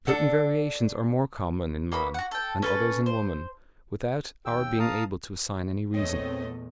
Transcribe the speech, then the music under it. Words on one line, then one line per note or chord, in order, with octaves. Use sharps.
Certain variations are more common in man, and others in woman, without our being able to assign any reason.
D4 A4 F#5
A#3 B3 F#4 B5
F#4 F#5
A4 G5
C#4 A4 B4
C5
D#2 G5 E6
F5 A5 A#5 D#6
E2 A#2 A3 C4 C#5 D#5